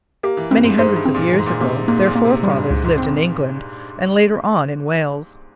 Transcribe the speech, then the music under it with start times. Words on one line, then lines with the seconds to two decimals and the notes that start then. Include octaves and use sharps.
Many hundreds of years ago their forefathers lived in England and later on in Wales.
0.23 A#3 G4
0.37 E3
0.51 G2 C4
0.64 G#2
0.78 G#2 C5
0.96 G2
1.05 C4
1.15 A#2
1.33 E3
1.39 G#2
1.46 A#2
1.60 C3 A#3
1.88 G#2 A#3
2.06 A#2
2.16 A#3
2.24 C3
2.43 A#2 G3
2.50 G2
2.57 G#2
2.70 C#2 G#2
2.85 G#2
2.98 C4